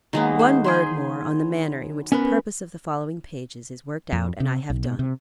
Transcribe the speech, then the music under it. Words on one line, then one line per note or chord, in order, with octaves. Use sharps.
One word more on the manner in which the purpose of the following pages is worked out--and I have done.
D#3 F#3 G#3 A#3 B3
C5
G#4 C5 G5 G#5 B5 C6
B3 C#4 A#4 B4
F2
C3
B1
B2
C3